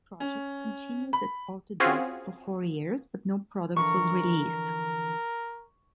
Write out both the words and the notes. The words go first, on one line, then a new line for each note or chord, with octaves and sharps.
The project continued at Autodesk for four years, but no product was released.
C#4
B5
C4 C#4 F4 F#4 G#4
D3 E3 F3 A#4 C#6